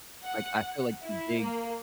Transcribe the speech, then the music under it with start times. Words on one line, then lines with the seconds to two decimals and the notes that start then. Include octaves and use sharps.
like, I feel like the big
0.24 F#5
1.02 E4
1.41 A#3